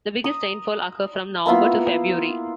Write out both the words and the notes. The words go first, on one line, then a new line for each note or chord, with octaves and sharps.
The biggest rainfall occur from November to February.
A#5 D#6
A#3 B3 E4 F4